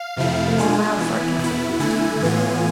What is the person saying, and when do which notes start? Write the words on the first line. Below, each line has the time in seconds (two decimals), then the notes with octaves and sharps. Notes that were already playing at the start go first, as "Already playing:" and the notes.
There was a vile sarcasm in his tone and look.
Already playing: F5
0.16 F2 C3 F3 A3 E4
0.58 B2 G#3 D4 F4 G#5
0.98 E3 B3 E4
1.38 B2 B3 E4 B5
1.79 D3 A3 E4 G#5
2.20 A2 E3 B3 F4